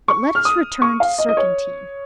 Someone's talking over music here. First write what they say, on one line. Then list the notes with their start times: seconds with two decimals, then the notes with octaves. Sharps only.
But let us return to Surcantine.
0.08 C#6
0.35 F6
0.45 D#6
0.82 C#6
1.00 F5
1.18 D#5
1.29 D#5
1.37 C#5